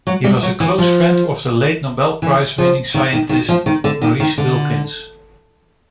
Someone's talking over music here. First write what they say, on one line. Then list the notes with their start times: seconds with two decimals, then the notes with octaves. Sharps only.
He was a close friend of the late Nobel Prize-winning scientist Maurice Wilkins.
0.07 F#3
0.24 G3
0.43 F#3
0.60 E3
0.78 F3
2.22 E3
2.58 F3
2.94 D#3
3.13 D#3
3.29 D#3
3.49 F3
3.66 D#3
3.84 D3
4.02 D#3
4.20 D#3
4.38 D3